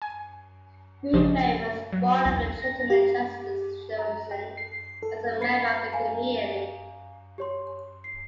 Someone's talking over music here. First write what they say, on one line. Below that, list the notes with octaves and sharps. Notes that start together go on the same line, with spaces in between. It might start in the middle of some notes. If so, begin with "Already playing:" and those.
Greenberry was one of the gentlemen justices chosen as a member of that committee.
G#5
A#1 C#3 F3 G4 C5 D#5
F#3
B1 E2
A#6
G4
A#5
G5
C7
A4
B4 B5 C7 C#7
F5 G#5 A#5
G4 C#5 C6
C7